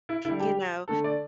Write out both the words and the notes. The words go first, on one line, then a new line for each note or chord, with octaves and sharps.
You know?
E4
D3 G3 E4
G4
D3 A3 A4
D5